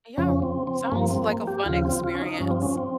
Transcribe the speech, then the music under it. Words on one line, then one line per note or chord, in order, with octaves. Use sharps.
Yeah. Sounds like a fun experience.
F2 C#3 F3 C#4
C4
C4
G2 F3 A#3
C4
A#3
G4
D#2 C#3 F3 F4
C4
F4
C#4
D#4
G2 F3 C#4
C4
C#4
C4